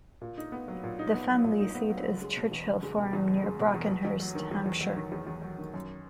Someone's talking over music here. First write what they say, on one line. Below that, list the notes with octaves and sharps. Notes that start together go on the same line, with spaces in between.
The family seat is Church Hill Farm, near Brockenhurst, Hampshire.
A#2
D#4
B3
F#3
A#2
D#4
B3
F#3
A#2
D#4
B3
F#3
F#1
G#3
B2
E2
F#1
G#3
B2
E2
F#1
G#3
B2
E2
E2
E2
F#3
D#3
E2
E2
F#3
D#3
E2
E2
F#3
D#3
F#2